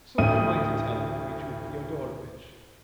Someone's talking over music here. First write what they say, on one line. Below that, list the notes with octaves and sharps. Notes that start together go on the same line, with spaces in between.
So what am I to tell her, Dmitri Fyodorovitch?
A1 D2 D#6 D#7